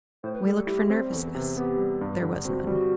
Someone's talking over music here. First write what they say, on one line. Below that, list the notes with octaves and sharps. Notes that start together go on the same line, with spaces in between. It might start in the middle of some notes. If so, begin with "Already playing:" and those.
We looked for nervousness--there was none.
A2 C5
B4
G3 A4
A4
E4 G4
C4
E2 A4
C3 B4
B3 G4
G3
G2
D3
C4 F#4
G3 F#4